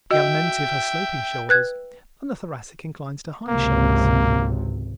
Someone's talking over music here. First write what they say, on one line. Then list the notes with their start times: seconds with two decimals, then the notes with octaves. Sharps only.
The Alimentive has sloping shoulders and the Thoracic inclines to high shoulders.
0.11 F#4 D#5 E5 G5
1.49 B4 F#6 G#6
3.48 G#1 C#2 C3 A#3